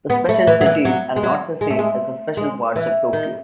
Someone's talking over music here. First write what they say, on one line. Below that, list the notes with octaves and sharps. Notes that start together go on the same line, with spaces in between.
The special cities are not the same as the special wards of Tokyo.
B3
A3
E3
F#3
E3
F#3
G#3
F#3
G#3
A3
G#3
G#3
E3
D#3